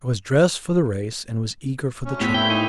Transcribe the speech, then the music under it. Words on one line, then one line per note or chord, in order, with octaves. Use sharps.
I was dressed for the race and was eager for the trial.
D2 C#4
A2 B3 C4 G4 B6
A#2 A3 E4 G5
D#4